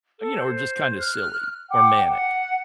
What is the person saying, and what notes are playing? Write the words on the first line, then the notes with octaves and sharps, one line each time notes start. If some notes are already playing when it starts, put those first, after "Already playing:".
eh, you know, are just kinda silly or manic.
A4
C5
F6 F#6
F#5 G5 D6
F#5